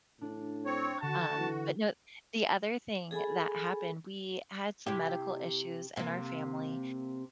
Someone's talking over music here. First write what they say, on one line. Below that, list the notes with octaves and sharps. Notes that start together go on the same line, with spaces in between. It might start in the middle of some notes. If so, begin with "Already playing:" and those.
Um, but, no, the other thing that happened, we had some medical issues in our family
A2 D4
C4 C#5
D3 F#4 A5
E3
G#4 A4 G#5 B5
C3 E4 G4
C3 A#3